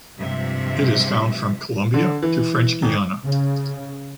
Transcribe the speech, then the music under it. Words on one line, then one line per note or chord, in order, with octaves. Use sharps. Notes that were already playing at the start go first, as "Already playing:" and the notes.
It is found from Colombia to French Guyana.
G2 C3 F3 G#3 E5
D3
E3
D#1
C#3